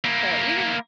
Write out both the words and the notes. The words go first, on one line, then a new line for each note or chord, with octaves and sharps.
Right, even
A#3 E4